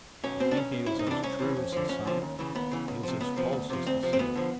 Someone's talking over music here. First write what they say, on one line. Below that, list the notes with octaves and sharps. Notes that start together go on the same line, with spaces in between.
You think he is as true as the sun--he is as false as the sea.
B1 C#4
B2 C4
D4
B1 C#4
B2
C2 E4
D#4
C3 E3 D4
C2 C#4
C3 E3
F2
D3 F3
F2 C#4
D3 F3
D#2
C#3 E3
D#2 B3
C#3 E3
C#2
C3 F3
C#2 B3
C3 F3
D2
C3 F3
D2 C4
C3 F3
C4
D2 B3
D3 F3